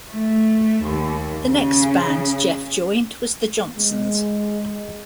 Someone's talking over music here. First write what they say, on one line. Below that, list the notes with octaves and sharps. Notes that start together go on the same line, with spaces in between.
The next band Jeff joined was The Johnsons.
A3
D#2
C#3
G#3